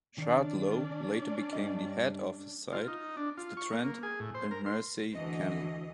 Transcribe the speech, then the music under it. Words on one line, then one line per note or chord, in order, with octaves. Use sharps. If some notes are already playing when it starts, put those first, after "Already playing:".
Shardlow later became the head office site of the Trent and Mersey Canal.
D#3 C#4 D4 D5
G2 G3 D#5
F4
D#4
D4
F4
C#6
A#3
A#3
G#4
A2
C5
A#4
C6
D2 E3 D#5